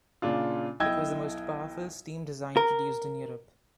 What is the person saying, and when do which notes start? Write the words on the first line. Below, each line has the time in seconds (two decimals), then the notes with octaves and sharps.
It was the most powerful steam design produced in Europe.
0.22 A#2 C#3 D4 F4
0.80 B1 E4 D#5 G5 E6 G#6
2.57 A#4